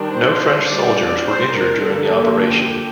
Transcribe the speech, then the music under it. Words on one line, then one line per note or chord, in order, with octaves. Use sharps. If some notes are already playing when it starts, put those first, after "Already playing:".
No French soldiers were injured during the operation.
Already playing: D#3 G3 D4
C5
G3 D4 D5
C5
A#4
D3 F3 A#3 A4
G4